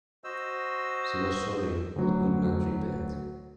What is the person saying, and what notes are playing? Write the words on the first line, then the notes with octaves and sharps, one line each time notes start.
She was sorry, but could not repent.
F#4 C5 D#5 E6
D2 F#3